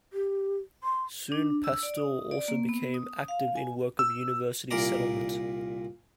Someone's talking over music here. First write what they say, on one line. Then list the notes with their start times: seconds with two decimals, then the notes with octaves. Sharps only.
Soon Pastor also became active in work of University Settlement.
0.13 G4
0.84 C6
1.32 D4
1.64 E6
1.83 D5
1.97 D#6
2.31 D5
2.48 A#3
2.69 B3
2.94 D#6
3.28 F5
3.56 G#5
3.99 E6
4.71 C2 A#2 A#4 D5 A#5